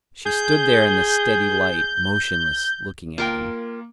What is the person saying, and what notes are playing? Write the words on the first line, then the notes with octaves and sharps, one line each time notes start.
She stood there in the steady light, motionless, looking at him.
G#4 G6
A#3 F4 A#4 G5